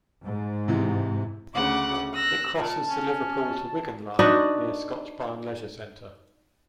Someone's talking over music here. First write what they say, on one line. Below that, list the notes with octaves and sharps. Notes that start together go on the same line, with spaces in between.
It crosses the Liverpool to Wigan Line near Scotchbarn Leisure Centre.
G#2
C3 E3
D2 C#3 F#5 D6
E6 F#6 A#6
A#2 A5
C#4
D4 D#4 F#4 B4